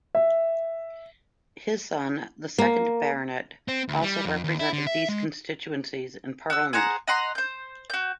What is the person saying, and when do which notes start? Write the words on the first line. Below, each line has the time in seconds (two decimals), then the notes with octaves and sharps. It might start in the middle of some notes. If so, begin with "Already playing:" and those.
His son, the second Baronet, also represented these constituencies in Parliament.
0.15 E5
2.58 A#3
3.68 C4
3.88 D2
4.02 G3
4.25 F2
4.44 D#2
4.59 E4
4.73 D3
4.87 E5
5.09 G#3
6.50 F#4 E6
6.73 G#4 C5 F#5 A#5
7.08 D#5 F#5 A#5 C6
7.35 C5 G6
7.90 F#4 G6